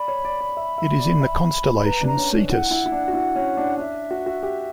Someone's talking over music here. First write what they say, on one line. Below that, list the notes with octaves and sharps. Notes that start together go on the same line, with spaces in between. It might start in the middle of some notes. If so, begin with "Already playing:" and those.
It is in the constellation Cetus.
Already playing: D5 B5
C#5
D5
D5
E5
E5
D5
E5
B4 A#5
D4
A#5
D4
C#4
D4
E4 F#5
E4
E4
D4
F#4
E4
C#4
D4
D4 E5
F#4
F#4
G4